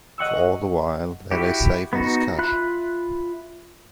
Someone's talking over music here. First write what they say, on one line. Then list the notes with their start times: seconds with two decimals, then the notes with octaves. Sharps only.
For all the while they lay safe in this cache.
0.18 D#5 F#5 C#6 E6
1.31 E4 F#4 G4
1.93 B3 D#4 F#4
2.38 F4 E5 B5 F#6